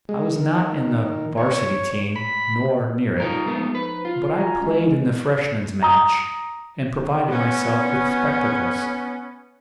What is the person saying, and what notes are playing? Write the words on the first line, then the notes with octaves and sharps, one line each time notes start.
I was not in the 'Varsity team, nor near it; but I played in the Freshman's match, and provided myself with spectacles.
G#3
D#3
C#5
B5
D#4 F4 A#4
F3 G#3 A3 B3 D#4
B4
F4
F#4 G#5 A#5
G#3 C#4
A#5 D#6
B3 C#4